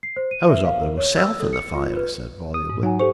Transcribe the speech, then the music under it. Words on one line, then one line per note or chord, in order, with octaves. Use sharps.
"I was up there myself at the fire," he said volubly.
C7
C5
D#7
E5
F5
A#4
C#5
E6
A4
C#7
F4
B4
D#6
G#2
F#3 D#4 F#5 G#5
G4 A4 C5 C#6